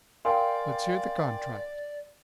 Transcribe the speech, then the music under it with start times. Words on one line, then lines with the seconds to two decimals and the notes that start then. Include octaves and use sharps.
"Let's hear the contract!"
0.25 A#4 D5 F5 G5 G#5 C6